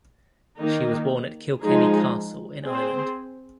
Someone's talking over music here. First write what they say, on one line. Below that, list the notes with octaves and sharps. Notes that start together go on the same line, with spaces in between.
She was born at Kilkenny Castle in Ireland.
D#3 A#3 D#4
F3 G#3 D#4 G#4
C4 G#4 C5